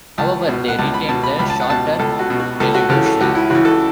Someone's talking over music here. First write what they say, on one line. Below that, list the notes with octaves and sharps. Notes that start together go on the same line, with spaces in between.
However, they retained the shorter Toledo shell.
C#2 A5
B2
F#5
C#2 A5
B5
B2 A5
B5
C#2 B5
A5
F#5
B2 A5
C#2 A4
F#4
B2
F#4
C#2 A4
F#4
C#3 E3 A4
A4
C#2 F#4
E4
C#3 E3 F#4
A4